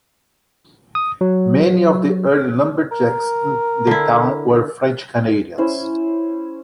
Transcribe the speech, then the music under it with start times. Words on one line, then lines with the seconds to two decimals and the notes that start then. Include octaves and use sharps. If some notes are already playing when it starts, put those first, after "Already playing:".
Many of the early lumberjacks in the town were French Canadians.
0.95 D#6
1.21 F#3
2.91 A#4
3.87 D3 E4
5.58 C#4 E4 C5